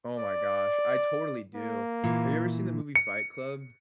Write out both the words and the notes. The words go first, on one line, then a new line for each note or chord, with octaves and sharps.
Oh my gosh, I totally do. Have you ever seen the movie Fight Club?
D5
A#3
A#2 E3
C#7